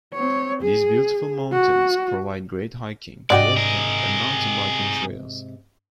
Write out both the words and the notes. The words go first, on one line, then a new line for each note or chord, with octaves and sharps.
These beautiful mountains provide great hiking, walking, and mountain biking trails.
C4 C#5
G#4
F#4
G#2 C3 D4 F#4 D5 D#5 G5
G#4 A#4